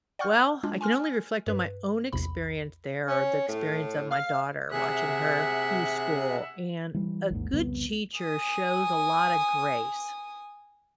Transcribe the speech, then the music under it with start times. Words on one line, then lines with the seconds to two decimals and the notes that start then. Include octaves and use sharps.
Well, I can only reflect on my own experience there or the experience of my daughter watching her through school, and a good teacher shows a lot of grace
0.19 D5 F#5 G5 C#6 F6 G6
0.63 G#3 D4 F4
0.81 G#5 C6 F6
1.47 G2 B4
2.13 A#1 E2 C3 B5
3.07 C#4
3.48 A2
4.11 F5
4.72 C3 G#4 E5 F#5 F#6
6.94 E3 G3
7.30 A1 D#2 G#2
7.53 C2 F2 C#3 B3
8.19 G#5 D#6